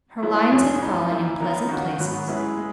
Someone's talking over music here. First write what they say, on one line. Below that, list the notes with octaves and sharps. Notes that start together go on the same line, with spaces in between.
Her lines had fallen in pleasant places.
F#3 B3 E4
E2 B2 F#3 C#4 G#4
F#2 E3 B3 D#4
E3 A#3 E4
F#3 B3 D#4 A#4
D#3 A#3 C#4 F#4
G#2 F#3 B3 F#4
G#3 C#4 E4 B4
G#3